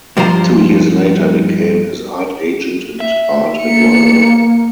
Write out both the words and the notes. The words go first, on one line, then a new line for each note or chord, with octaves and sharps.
Two years later became his art agent and art advisor.
G2 F3 F4 C5 A#5
E5
A#3 C#7